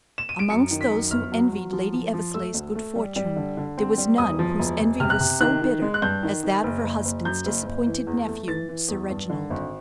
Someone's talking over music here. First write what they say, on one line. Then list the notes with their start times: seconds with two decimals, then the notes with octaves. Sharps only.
Amongst those who envied Lady Eversleigh's good fortune, there was none whose envy was so bitter as that of her husband's disappointed nephew, Sir Reginald.
0.18 E7
0.29 D#7
0.39 D7
0.50 F#2 C#7
0.71 D#3
0.81 B6
0.91 F#2
1.11 G1 F6
1.32 F#3
1.52 F#3
1.73 F3
1.93 F3
2.14 F3
2.34 A3 E6
2.54 D2
2.75 A3
2.96 G3
3.16 G3
3.36 D3
3.57 D3
3.78 C4
3.98 G3
4.18 E1 D#6
4.39 F3
4.59 E1
4.80 E1
5.00 C3 F6
5.10 F#6
5.20 C3
5.41 D#3 F#6
5.62 D#3
5.82 G#3
5.94 F#6
6.02 G2 G6
6.23 D#3
6.43 D#3
6.64 F#1
6.84 F#1
7.05 F#1
7.25 F#2 G6
7.46 F#1
7.66 F#1
7.86 E3
8.07 E2
8.27 A3
8.48 E3 A6
8.69 E3
8.88 E2
9.09 G2
9.30 D3
9.50 G#1